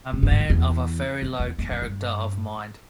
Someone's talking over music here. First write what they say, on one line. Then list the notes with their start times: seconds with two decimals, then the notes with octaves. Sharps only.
A man of a very low character of mind.
0.13 B2
0.23 A2
0.31 G#2
0.40 F#2
0.50 E2
1.22 F2
1.40 E2
1.59 E2
1.71 F#2
1.82 G2